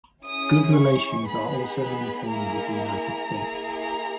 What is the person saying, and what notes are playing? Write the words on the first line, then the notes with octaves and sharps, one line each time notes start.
Good relations are also maintained with the United States.
C#4 E4 G#4 D#6
C#6
B3 D#4 G#4 B5
B5
A#3 E4 G#4 A#5
A#5
A#3 E4 G#4
A#5